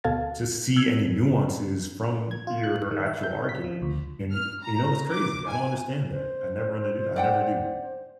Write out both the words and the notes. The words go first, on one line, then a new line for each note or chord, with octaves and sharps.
to see any nuances from your actual argument. And, yo you know, it's crazy, I don't understand that. I never under d I never do,
D2 B2 A4 F5 G#6 A6
E6 F#6 G#6
G#6
F4
F#6
D#3
E5
G6
B6
F3
D2
F6
A#5
D6
G#5
C5
D5 F#5 G5